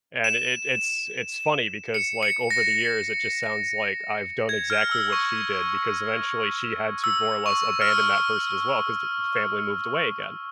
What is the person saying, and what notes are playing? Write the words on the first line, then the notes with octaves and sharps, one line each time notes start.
And i i it's it's funny because, like, over the years, it just sounds like I've done exactly what she did because eventually she had to, more or less, abandon that person as well, 'cause the f family moved away again.
E7
C#7
C#7
A#6
G#6
F6
E6
C#6
E6
C#6
F6
E6